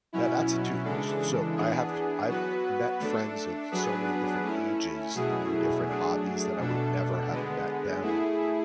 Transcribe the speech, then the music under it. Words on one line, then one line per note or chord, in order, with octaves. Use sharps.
Yeah, that's it, too, s so I have I've met friends of so many different ages through different hobbies that I would never have met them
B2 F#3 C#4 E4
C#3 E3 G#3 D4 A4
E3 B3 D4 G#4
F#3 B3 F#4 B4
A3 D4 A4
F#3 B3 D4 G#4 B4
A3 C#4 E4
B2 F#3 A3 E4 G#4
F#3 A3 D4 G#4
B2 A3 D4 A4
D3 G#3 B3
A3 E4 G#4